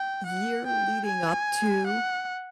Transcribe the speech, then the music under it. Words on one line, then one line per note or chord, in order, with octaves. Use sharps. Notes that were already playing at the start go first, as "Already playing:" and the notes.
year leading up to,
Already playing: G5
F#5
G5
G#5
F#5